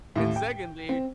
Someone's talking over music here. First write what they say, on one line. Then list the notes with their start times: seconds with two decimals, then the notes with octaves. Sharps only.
And secondly"
0.16 D#2 A2
0.36 G5
0.89 C4